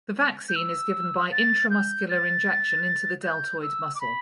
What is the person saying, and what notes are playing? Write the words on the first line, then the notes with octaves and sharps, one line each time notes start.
The vaccine is given by intramuscular injection into the deltoid muscle.
G6
E6
A6
G6
A6
G6
E6
D6
B5